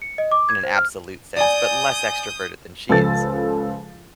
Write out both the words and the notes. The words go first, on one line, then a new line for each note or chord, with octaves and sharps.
in an absolute sense, but less extroverted than she is.
C#7
D#5
D6
G#6
C5
F6
D5 G#5 D#6 G6
C#2 F3 A4 A6